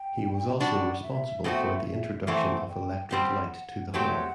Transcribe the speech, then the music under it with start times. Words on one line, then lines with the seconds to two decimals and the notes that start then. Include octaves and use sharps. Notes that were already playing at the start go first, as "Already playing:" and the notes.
He was also responsible for the introduction of electric light to the hall.
Already playing: G5
0.60 G3 D4 F#4 F#5
1.02 E5
1.44 B2 A3 C4 F#4 E5
1.85 E5
2.27 E3 A3 C4 F#5
2.69 G5
3.10 G3 C4 G4 F#5
3.93 F#3 A3 C4 G4 F#5 G5